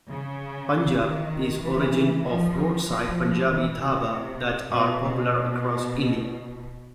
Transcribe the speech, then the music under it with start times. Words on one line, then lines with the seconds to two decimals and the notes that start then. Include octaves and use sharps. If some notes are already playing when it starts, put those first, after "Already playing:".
Punjab, is origin of roadside Punjabi dhaba that are popular across India.
0.09 C#3
1.01 D#3
1.64 E3
2.25 F3
2.87 F3
3.48 E3
3.79 C3
4.71 B2
5.01 B2